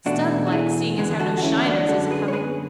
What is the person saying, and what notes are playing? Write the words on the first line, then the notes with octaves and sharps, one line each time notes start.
Stunned like, seeing as how no shiners is acoming.
E2 B2 A3 D4 F#4
F#4
E4 G#4
E2 D3 G#3 B3
G#4
F#4 A4
F#4
C#4 E4
E4
D4 F#4
F#2 D3 G#3 F#4 A4
G#4 B4
C#5
G#4 B4